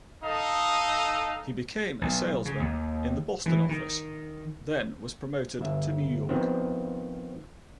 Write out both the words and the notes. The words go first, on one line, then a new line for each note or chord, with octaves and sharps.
He became a salesman in the Boston office, then was promoted to New York.
D#4 A4 D#5 F5 D#6
B1
C#3
D#2
E3
D#3
G1 E5
D#3 F3 B3 C4